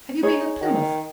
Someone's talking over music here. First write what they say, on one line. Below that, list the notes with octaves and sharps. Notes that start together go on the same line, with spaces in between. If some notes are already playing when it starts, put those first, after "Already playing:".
'Have you been at Plymouth?
D#4 G#4 C#5
D#3